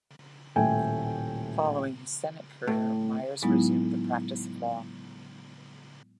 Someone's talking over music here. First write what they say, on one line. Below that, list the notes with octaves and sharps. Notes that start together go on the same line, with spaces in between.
Following his Senate career, Myers resumed the practice of law.
D#1 A2 A3 G5 G#5
A2
A2 F#3 G#3 B3 D#4 E4